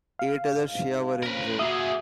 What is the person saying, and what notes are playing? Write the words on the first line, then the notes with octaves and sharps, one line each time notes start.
Eight other Shia were injured.
F5
G#2
F3 C4 C#4 A#4 B4
A#3 F#4 G#4 E5 D#6